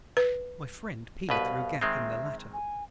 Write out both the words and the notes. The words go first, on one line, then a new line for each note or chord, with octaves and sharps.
My friend peered through a gap in the latter.
B4
C2 B2 B4 F5
D#3 G#3 C4 E5
G#5